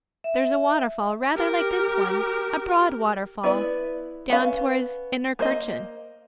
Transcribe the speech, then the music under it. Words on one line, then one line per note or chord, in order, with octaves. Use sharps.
There's a waterfall rather like this one--a broad waterfall down towards Innertkirchen.
E5
G4 A#4
B3 E4 B4 D5
B3 C#4 F5
A#3 C5 D#5